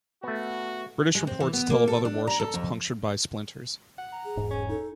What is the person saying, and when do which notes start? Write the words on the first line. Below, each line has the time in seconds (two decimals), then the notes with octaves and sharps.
British reports tell of other warships punctured by splinters.
0.23 A3 B3 F#4
1.15 G#3
1.27 C4
1.40 E3
1.53 B3
1.70 A#3
1.88 A4
2.05 D4
2.27 A#5
2.40 A4
2.54 F2
3.98 F#5
4.12 A#5
4.25 G#4
4.37 E1 G#2
4.51 C#4 G#5
4.69 D#4 A4